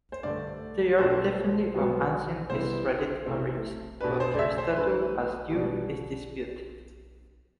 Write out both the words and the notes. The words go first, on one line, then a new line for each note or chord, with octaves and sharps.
They are definitely of ancient Israelite origin, but their status as Jews is disputed.
C5
G2 D3 A3 D5
B2 A3 D4 C5
B2 F#3 B3
C3 G3 B3 E4 C5
C3 E3 A3 C4
B2 A3 D4 B4
C5
D5
E5
C5
G2 E3 A3 D4 B4
B2 G3 D4